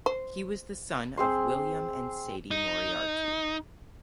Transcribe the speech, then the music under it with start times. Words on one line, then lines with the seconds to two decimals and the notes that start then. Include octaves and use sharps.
He was the son of William and Sadie Moriarty.
0.06 C5
1.17 C4 G#4 C6
2.51 D#4